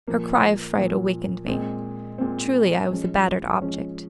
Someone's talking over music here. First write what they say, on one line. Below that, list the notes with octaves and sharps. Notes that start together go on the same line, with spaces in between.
Her cry of fright awakened me. Truly, I was a battered object.
A#2 F3 A#3
A#2 F3 A#3
A#2 G#3 C4
A#2 G#3 C4
F3 G#3 C#4
F3 G#3 C#4